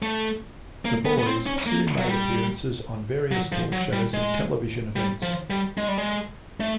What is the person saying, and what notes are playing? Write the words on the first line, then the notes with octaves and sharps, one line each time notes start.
The boys soon made appearances on various talk shows and television events.
A3
A#3
B3
B3
C4
C#4
A#3
F#3
G3
F#3
F3
F#3
G3
G#3
G3
F3
G3
G#3
G3
G#3
A3